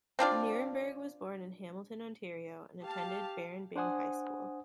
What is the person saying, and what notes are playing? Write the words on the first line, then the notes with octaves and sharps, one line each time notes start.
Nirenberg was born in Hamilton, Ontario, and attended Baron Byng High School.
C4 D4 F4 D5
G4 F5 A5
D4 C5 F#5 G#5 D#6